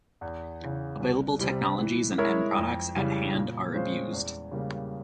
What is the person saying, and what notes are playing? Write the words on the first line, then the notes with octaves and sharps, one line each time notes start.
Available technologies and end products at hand are abused.
E2
C#3 E3
C2
C3 G3 C4
E3
G#3 E4 A#4 C#5
F2
C#3 E3 G3
A#2
G#3 C#4 F4 C5
E2
C#3 G3 A#3